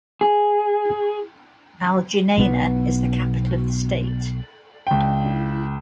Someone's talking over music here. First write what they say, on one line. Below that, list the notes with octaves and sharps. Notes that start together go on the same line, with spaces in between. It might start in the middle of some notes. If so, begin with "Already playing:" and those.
Al-Junaynah is the capital of the state.
G#4
B1 B3
C#2 G5